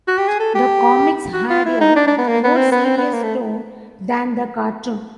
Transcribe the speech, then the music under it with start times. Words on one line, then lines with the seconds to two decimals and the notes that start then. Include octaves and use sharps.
The comics had a more serious tone than the cartoon.
0.08 F#4
0.18 G4
0.28 G#4
0.40 A4
0.55 G4
1.33 F#4
1.50 F4
1.66 E4
1.81 D#4
1.96 D4
2.07 D4
2.18 B3
2.28 A#3
2.44 B3
2.57 C4
2.72 B3
2.85 C4
2.98 B3
3.13 A#3
3.23 A3